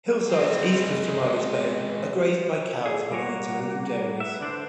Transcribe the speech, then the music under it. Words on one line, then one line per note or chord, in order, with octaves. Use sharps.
Hillsides east of Tomales Bay are grazed by cows belonging to local dairies.
G#3 C4
G#4 A4
G3 A#3 C#5 F#5
B4 E5
D3 D4 C5